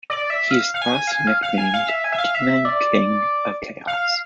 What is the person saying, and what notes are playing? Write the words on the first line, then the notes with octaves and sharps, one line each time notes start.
He is thus nicknamed "Demon King of Chaos".
D5
E5
F5
F5
G#5
F5
G#5
F5
F5
G#5
F5
E5
G#5
E5
F5
E5
D5
F5